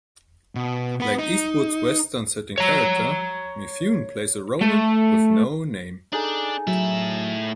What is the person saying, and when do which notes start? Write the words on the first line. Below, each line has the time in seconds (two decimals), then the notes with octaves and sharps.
Like Eastwood's western setting character, Mifune plays a ronin with no name.
0.55 B2
1.00 B3 B4
1.19 D#4
2.58 C#5 A#5
4.61 A3
6.13 D4 D#4 G#4 A4
6.67 A2 F#3 E5